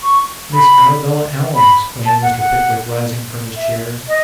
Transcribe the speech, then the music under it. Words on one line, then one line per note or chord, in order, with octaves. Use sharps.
'Miss Arabella Allen!' exclaimed Mr. Pickwick, rising from his chair.
C#6
B5
B5
A5
F#5
F#5
E5
D#5